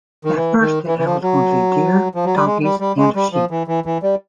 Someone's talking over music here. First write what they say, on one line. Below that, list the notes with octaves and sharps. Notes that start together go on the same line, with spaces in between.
At first, it held only deer, donkeys, and sheep.
D#3
E3
D#3
E3
E3
F3
F#3
F3
F#3
G3
G#3
G3
G3
G#3
G3
F3
E3
E3
E3
G3